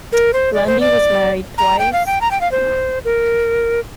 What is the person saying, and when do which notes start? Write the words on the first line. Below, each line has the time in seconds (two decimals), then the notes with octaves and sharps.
Lundy was married twice.
0.12 A#4
0.33 C5
0.54 D5
0.67 C5
0.80 D5
1.58 A#5
1.79 G5
1.93 F5
2.06 G5
2.21 A#5
2.31 G5
2.41 F5
2.52 C5
3.05 A#4